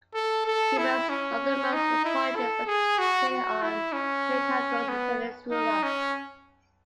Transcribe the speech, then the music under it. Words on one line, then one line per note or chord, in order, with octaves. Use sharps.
Cuba's northernmost point is located in on Hicacos Peninsula.
A4
A4
E4
C#4
D#4
E4
A4
G#4
F#4
F#4
E4
C#4
B3
D#4
C#4